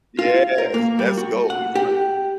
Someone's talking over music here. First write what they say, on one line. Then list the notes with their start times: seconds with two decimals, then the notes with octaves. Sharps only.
Yes. Let's go. You hu
0.19 F4
0.58 A#4
0.74 A#3
0.99 G3
1.17 F#4
1.50 F#5
1.75 G4